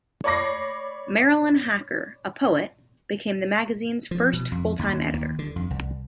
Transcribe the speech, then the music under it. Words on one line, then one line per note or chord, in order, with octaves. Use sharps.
Marilyn Hacker, a poet, became the magazine's first full-time editor.
C#5 D5 B5 D6 A#6 C7
F3
B2
F2
D#2
D#2
D3
F2
C2